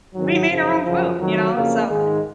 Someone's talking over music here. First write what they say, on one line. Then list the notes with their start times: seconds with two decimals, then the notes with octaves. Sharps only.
we we made our own food, you know, so
0.14 G#2 D#3 F#3
0.49 F#2 C#3 F3
0.84 F#2 C#3 F3
1.19 F2 D#3 F#3
1.54 F2 C#3 A#3
1.89 G#2 D#3 G#3